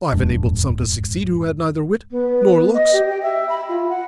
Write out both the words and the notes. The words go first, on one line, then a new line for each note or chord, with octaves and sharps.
I've enabled some to succeed who had neither wit nor looks.
D#1 F2 G#2 D4
B3
D#5
G4
G5
E5
B5
F4
F#5